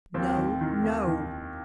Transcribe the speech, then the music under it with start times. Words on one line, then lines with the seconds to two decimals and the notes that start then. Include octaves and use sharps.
"No, no!"
0.14 D#2 C4
0.37 D#3
0.61 D#3
0.84 D#2
1.07 D#3